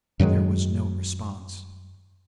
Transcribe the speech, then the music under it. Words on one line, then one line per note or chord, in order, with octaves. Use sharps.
There was no response.
F#2 D#3 F#3 G#3